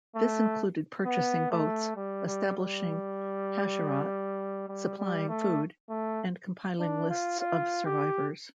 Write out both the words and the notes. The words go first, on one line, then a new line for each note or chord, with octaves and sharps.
This included purchasing boats, establishing hachsharot, supplying food and compiling lists of survivors.
A3
B3
A3
G3
G3
G3
G3
G3
A3
A3
D4
F4
F4
G4